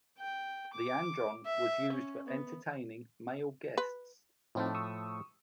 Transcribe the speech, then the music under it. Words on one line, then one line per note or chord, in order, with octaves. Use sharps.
The andron was used for entertaining male guests.
G5
D6
E5
C#4
B3
B4
A2 F3 A3 C4 D#4 F4
C#6 D#6 E6